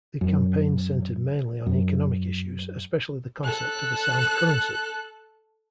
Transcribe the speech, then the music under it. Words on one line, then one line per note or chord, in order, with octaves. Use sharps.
The campaign centered mainly on economic issues, especially the concept of a sound currency.
F#2
F#2
A4 F#6